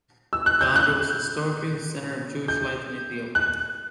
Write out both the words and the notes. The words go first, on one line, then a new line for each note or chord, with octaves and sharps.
Gonder was historically the center of Jewish life in Ethiopia.
E6
F#6
G6
F#6
G6
F#6